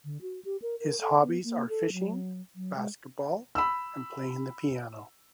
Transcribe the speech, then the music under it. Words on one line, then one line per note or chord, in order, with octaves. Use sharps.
His hobbies are fishing, basketball, and playing the piano.
D3
F#4
G4
A#4
A#4
A4
B3
A#3
A4
F#3
F#3
G#3
B5 E6